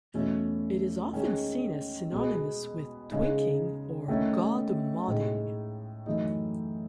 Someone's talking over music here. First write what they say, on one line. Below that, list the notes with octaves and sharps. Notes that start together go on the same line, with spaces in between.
It is often seen as synonymous with twinking or "godmoding".
E2 B2 A3 C#4
D#3 G#3 C#4
B2 G#3 B3
C#3 G#3 D#4
D#3 A3 C#4 E4
A2 G#3 D#4
F#2 E3 A3 D#4